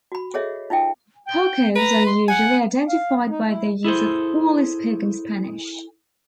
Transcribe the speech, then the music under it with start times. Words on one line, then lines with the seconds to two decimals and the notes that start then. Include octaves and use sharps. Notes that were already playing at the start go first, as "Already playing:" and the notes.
Pochos are usually identified by their use of poorly-spoken Spanish.
0.12 F#4 B5
0.34 G#4 A4 C#5 D#5 E5
0.70 D#4 F4 E5 G5
1.26 G5
1.76 B4 A#5
2.06 C6
2.28 F#5 G#5
2.89 F5
3.29 D#4
3.44 E4
3.84 E4 G#4 A4 C5